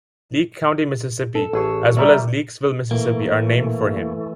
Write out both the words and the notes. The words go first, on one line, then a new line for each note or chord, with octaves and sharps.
Leake County, Mississippi, as well as Leakesville, Mississippi are named for him.
A4
A1 G#4 C#5 E6
G3 A#3 A4 D5 E5 A#5 B5
E3 A3 A#3